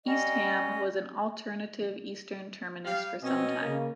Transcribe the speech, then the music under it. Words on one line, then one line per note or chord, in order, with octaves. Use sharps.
East Ham was an alternative eastern terminus for some time.
G3 C#4 F#4 D#5
G3 G4 F5
B2 C4 C#4 D#5
C#3 A#3